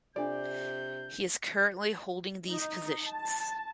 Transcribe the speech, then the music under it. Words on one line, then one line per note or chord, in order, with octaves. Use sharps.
He is currently holding these positions.
C3 D4 F4 A4 D5 G6
D#4
A5